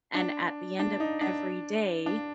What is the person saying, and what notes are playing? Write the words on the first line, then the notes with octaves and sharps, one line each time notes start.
and at the end of every day,
D4
D4
D#4
D4
D4